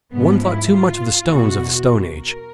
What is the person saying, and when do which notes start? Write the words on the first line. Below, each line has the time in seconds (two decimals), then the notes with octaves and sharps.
One thought too much of the stones of the Stone Age.
0.14 G#2 F3 B3
0.44 E4
0.72 F4
1.30 E2 B2 F#4
2.17 A#4